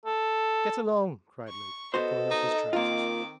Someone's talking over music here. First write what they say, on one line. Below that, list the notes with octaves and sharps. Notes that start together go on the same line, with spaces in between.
'Get along,' cried Luke, pulling off his trousers.
A4
C#6
B3 F#4 A4 C5 D#5
D#4
D#3 A#3 C4 F4 D6